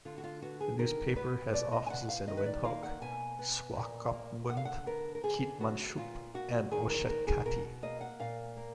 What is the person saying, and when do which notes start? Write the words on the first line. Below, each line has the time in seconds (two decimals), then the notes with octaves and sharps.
The newspaper has offices in Windhoek, Swakopmund, Keetmanshoop and Oshakati.
0.05 D3 F4
0.18 F#4
0.24 F4
0.42 B3 F#4
0.61 G#4
0.79 D#3 A#4
1.16 B3 B4
1.53 B2 D5
1.72 D#5
1.86 G#5
1.90 B3 F#5
2.09 F5
2.28 D#3 D#5
2.37 B4
2.46 D5
2.64 A#3 F5
2.83 F#5
3.02 B2 G#5
3.39 B3
3.75 A#2
4.13 A#3
4.50 D3 F#5
4.57 F5
4.65 F#5
4.86 B3 A#4
5.15 A#4
5.23 D3 G#4
5.60 B3 F#4
5.98 A#2 F4
6.34 A#3 F#4
6.71 D#3 G#4
6.90 A#4
7.09 B3 A#4
7.27 G#4
7.46 B2 A#4
7.83 A#3 D#5
8.01 F#5
8.20 A#2 F5
8.57 A#3